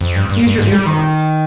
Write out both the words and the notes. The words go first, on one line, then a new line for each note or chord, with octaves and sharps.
Use your influence.
F2
G2
G2
G2
G#2
G3
D#3